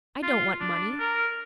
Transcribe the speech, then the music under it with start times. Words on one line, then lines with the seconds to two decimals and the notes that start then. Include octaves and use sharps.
I don't want money.
0.23 F4
0.60 D4
1.00 A#4